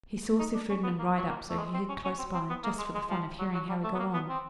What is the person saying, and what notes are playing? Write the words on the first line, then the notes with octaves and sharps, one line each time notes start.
He saw Sir Ferdinand ride up, so he hid close by, just for the fun of hearing how he got on.
D#4
D4
C#4
B3
A#3
F#3
A#3
A3
G#3
C4
C#4
C#4
C4
C4
B3
A#3
G#3
G#3
F3
F#3
F#3
G3
A3
B3
A#3
B3
C4